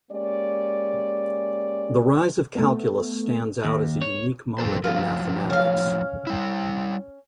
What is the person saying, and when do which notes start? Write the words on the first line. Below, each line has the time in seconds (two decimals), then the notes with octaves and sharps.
The rise of calculus stands out as a unique moment in mathematics.
0.11 G#3 A#3 C#4 G4 D5
2.55 A3 B3
3.65 D#2
4.02 C#5
4.58 F3 A4 C5
4.84 A2 F3 F#3 F4
5.50 C#4 F5
6.27 G3 E4